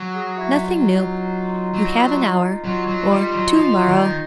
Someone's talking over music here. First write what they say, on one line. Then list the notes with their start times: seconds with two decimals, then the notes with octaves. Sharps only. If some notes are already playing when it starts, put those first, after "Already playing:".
"Nothing new; You have an hour; or To-morrow."
Already playing: F#3
0.14 F#4 G#4
0.37 E4 F#4
0.60 D#4 F4
1.74 F#3
2.64 F#3 D#4 F4
2.87 F#3
3.11 G3
3.33 F#3
3.56 F3
3.87 D#3